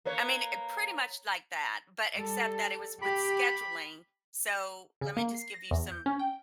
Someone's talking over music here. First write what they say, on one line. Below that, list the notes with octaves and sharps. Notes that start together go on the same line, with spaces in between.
I mean i pretty much like that, but except that it was with scheduling, so, let me just give you some
A#3 B4 C#5
G3 A4
G4 B5
C#3
A#3
C7
A#6
E2
G6
C#4
G5